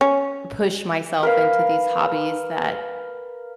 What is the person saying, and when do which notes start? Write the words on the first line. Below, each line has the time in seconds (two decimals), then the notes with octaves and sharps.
push myself into these hobbies that
0.01 C#4
1.23 A#4 B4 F5